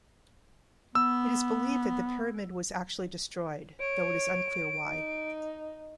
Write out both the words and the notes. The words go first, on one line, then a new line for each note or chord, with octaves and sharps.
It is believed that the pyramid was actually destroyed, though it is unclear why.
B3 E6
C#5 D7
D#4